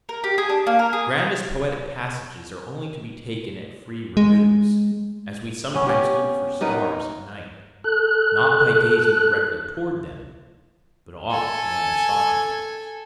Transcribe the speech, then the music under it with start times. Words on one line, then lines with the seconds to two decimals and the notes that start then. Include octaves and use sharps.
Grandest poetic passages are only to be taken at free removes, as we sometimes look for stars at night, not by gazing directly toward them, but off one side.
0.09 A#4
0.24 G4
0.38 G#4
0.49 D4
0.67 A#3
0.79 A#4
0.93 G#4
4.17 G#3
5.74 B3 C#4
5.87 C#4 G4
6.61 B3 D#4 A#4 B4
7.84 A4 F#6
11.31 A4 G#5